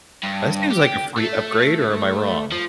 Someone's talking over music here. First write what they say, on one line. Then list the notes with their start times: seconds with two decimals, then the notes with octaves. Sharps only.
That seems like a free upgrade, or am I wrong?
0.23 G2
0.71 G4
1.18 A3
2.52 F3